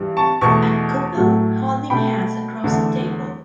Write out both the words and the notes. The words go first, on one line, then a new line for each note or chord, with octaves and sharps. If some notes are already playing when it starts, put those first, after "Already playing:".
A couple holding hands across a table.
Already playing: G2 E3 G3
A5 C#6
E2 B2 A3 A5 C#6
A2 F#3 A3
B2 A3 G5 B5
E2 D3 A3